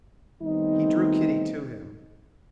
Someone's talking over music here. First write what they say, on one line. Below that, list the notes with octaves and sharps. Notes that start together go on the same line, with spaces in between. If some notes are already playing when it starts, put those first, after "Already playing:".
He drew Kitty to him.
D#3 G3 A3 B3 C4 D#4